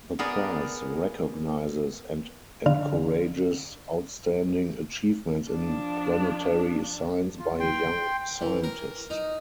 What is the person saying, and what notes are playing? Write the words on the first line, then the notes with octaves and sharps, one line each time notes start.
The prize recognizes and encourages outstanding achievements in planetary science by a young scientist.
B3 G#4 A#4 D5
D3 F5
F3 D4
F4
G5 C6
E3
A#4
D#4